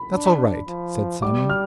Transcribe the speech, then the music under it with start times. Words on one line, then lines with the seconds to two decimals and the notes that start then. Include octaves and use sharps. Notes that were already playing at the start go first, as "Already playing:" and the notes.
'That's all right,' said Simon.
Already playing: B5
0.13 D4
0.68 F3
1.22 G3 D6
1.50 F6